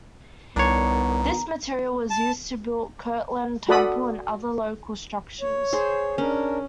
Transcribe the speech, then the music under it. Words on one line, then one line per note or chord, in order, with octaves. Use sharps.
This material was used to build Kirtland Temple and other local structures.
C2 D#3 B3 D4 C#5 A#5
A5
F#4 A4 D5 F#5 B5 D#6
C#5
G#4 C5
C#4 D4 A#4